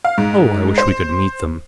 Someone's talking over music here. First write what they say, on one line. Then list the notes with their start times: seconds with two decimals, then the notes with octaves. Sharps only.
"Oh, I wish we could meet them."
0.05 F5
0.18 G#2
0.78 C5